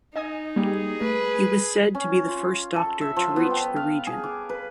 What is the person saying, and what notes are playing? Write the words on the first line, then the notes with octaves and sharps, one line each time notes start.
He was said to be the first doctor to reach the region.
D#4 D#5 G#5 D#6
G3 A#3 G4 G#4
A3 B4
C#4
F4
A4
E5
F3
B3
G5
F5
G#4
D6
B4